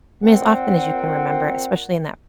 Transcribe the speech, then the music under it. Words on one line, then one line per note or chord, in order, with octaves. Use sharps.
mean, as often as you can remember, especially in that
A#2 C4 F#5